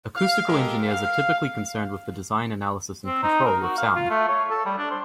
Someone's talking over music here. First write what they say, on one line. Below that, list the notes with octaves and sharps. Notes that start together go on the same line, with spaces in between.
Acoustical engineers are typically concerned with the design, analysis and control of sound.
F5
G#3 G4 A4 A#4
F5
C4
D#4
A#4
F#4
F5
F4
A3
C#5
A4
G3
D4
C5